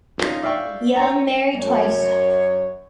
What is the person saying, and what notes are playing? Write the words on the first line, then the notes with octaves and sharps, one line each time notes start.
Young married twice.
C#4 D#4 F4
D5 E5 F5 G5 C#6
C#5 A#5
F#2 C#5